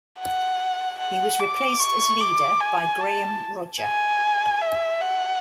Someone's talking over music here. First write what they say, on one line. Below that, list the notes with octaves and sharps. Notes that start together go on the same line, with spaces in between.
He was replaced as leader by Graeme Rodger.
F#5
F#5
D6
C#6
D6
G#5
A5
G#5
E5
F#5